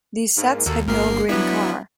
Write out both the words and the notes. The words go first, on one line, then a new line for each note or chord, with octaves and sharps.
These sets had no Green car.
G#2 A#3
D#2 A#3 F#4 A4
G1 D2 A#3 A#4 C7
F#3 B3 D4 E4